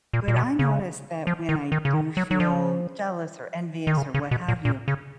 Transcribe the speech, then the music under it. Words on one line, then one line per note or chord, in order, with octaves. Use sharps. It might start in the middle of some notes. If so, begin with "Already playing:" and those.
But I noticed that when I do feel jealous or envious or what have you,
A#2
A#2
B2
C#3
F3
D#3
D#3
C#3
D#3
F#3
F#3
F3
D#3
C#3
C#3
B2
A#2
A#2
C#3